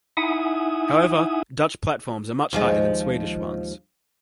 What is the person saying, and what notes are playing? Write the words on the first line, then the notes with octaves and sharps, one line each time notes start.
However, Dutch platforms are much higher than Swedish ones.
D#4 E4 E5 F#5 G#5 D#6
D#2 F3 G#3